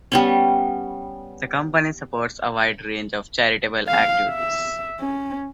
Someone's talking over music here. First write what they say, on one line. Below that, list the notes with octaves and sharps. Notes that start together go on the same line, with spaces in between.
The Company supports a wide range of charitable activities.
G3 B3 C#4
F5
E5
C#4